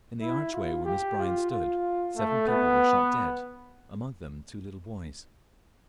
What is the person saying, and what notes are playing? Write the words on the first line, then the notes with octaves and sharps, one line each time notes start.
In the archway where Miss Bryant stood seven people were shot dead, among them two little boys.
E4
F4
G4
F4
F4
A3
B3